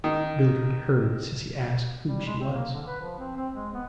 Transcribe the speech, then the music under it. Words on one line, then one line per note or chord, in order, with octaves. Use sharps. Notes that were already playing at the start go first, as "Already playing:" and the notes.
Mildred heard Cissy ask who she was.
D#3
G3
G#3
C4
A#3
D3
B4
F3
C4
C4
G#3
B3